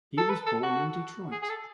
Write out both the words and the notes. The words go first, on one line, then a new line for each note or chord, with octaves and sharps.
He was born in Detroit.
A4
B4
A4
F#4
G#4
G#4
A4